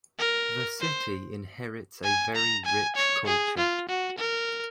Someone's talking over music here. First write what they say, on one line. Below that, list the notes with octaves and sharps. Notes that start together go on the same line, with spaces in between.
The city inherits a very rich culture.
A#4
C5
G#5
A#5
G#5
C#5
G#4
F4
F#4
A#4